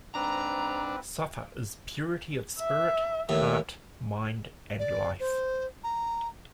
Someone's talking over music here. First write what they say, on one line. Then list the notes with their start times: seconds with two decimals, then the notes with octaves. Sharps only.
Safa is purity of spirit, heart, mind, and life.
0.15 G#2 C4 D4 B4 A#5
2.59 E5
3.29 D#2 A2 E5
4.79 D5
5.20 C5
5.84 A#5